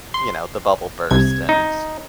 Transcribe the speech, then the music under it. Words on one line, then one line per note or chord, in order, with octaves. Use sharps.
you know, the bubble burst and
C6
C2 C3 G#6
D#4